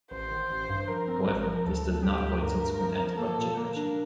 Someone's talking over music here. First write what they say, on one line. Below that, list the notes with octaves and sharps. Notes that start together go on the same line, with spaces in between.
However, this does not avoid subsequent antibody generation.
A1 C5
D#3
A1
G2
F3 A#4
C4
A1
F3
D2 A4
D2
D2 G4
D2
G2 A#4
G2
F3
F3
A#3 A4
A#2
A#3 A#4
D4